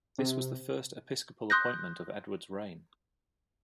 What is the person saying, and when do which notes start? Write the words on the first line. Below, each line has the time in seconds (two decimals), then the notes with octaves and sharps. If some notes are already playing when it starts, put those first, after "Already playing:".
This was the first episcopal appointment of Edward's reign.
0.18 C3
1.50 C6 D#6 F#6 G6 A#6